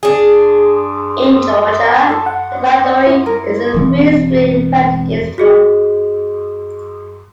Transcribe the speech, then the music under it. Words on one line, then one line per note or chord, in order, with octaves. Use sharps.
In Georgia the "panduri" is a three-string fretted instrument.
D4 G#4
A4 A5
F#5
E4
A#4
E1 E3 C4
F#4 G#4 D#5